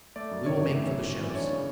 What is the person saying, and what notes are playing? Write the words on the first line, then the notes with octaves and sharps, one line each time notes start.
We will make for the ships.
A3 D5
F#2
G#1 C#5
E3
A3
F#2
G#1
E3
D5
D4 C#5
C#3